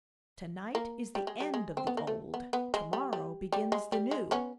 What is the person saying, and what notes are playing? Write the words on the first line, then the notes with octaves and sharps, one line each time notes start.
Tonight is the end of the old, tomorrow begins the new!
A#3
G3
G#3
G3
G#3
C4
B3
A#3
A3
B3
B3
G#3
G3
G3
G3
G#3
G3
G#3
B3 C#4